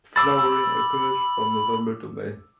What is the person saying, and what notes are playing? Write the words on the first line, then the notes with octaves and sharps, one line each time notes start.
Flowering occurs from November to May.
B5 D6 E6 A6